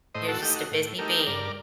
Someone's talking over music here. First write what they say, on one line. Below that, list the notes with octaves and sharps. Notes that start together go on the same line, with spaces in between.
You're just a busy bee.
A2 C5 D#5
F#4 A4
A3 D#4 G4
F#4
A2
A3 D#4 G4 A#4
G2 A#4 D5